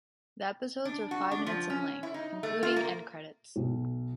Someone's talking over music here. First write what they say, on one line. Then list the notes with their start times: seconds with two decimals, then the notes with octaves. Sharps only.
The episodes were five minutes in length, including end credits.
0.85 D4
1.11 F#4
1.31 D4
1.46 F3
1.70 C#4
2.03 E4
2.14 D#4
2.43 A3
2.63 F4
2.76 A#3
3.56 B1